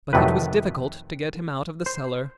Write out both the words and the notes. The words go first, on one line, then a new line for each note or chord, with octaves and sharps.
But it was difficult to get him out of the cellar.
F2 C3 D#3 F#3 A3 B4
C5